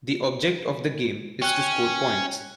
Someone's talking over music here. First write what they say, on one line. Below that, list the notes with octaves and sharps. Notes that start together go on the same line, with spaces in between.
The object of the game is to score points.
C#4 G5 F#6